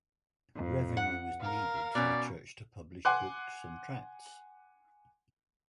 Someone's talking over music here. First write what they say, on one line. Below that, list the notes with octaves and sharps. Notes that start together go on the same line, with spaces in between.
Revenue was needed for the church to publish books and tracts.
F2
F#5
A#4 F5
B2 C#4 D5
F#5 G#5 C6 D6 F#6